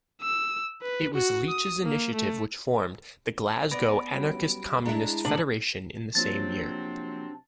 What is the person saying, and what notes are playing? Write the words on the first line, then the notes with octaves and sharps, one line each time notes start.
It was Leech's initiative which formed the Glasgow Anarchist-Communist Federation in the same year.
E6
B4
F#4
D#6
A#3
A3
B3 D5 B5 A#6 D7
F#3 G3 C#4
G#3 D4 E4 A#5
A2 C#3 E3 D4 F#7
C3 F3 F#3 A#3 C4 D4 F4 A6